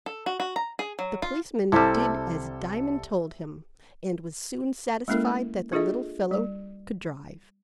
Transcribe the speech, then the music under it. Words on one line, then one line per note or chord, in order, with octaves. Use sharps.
The policeman did as Diamond told him, and was soon satisfied that the little fellow could drive.
A4
F#4
F#4
A#5
G#4
F#3
F4
C2 C3 G3 E4 A4 C5 E5 A5
G#3 A#3 C#4 E4 A4 A#4
D4 F4 G#4 A4 D#5 E5
G3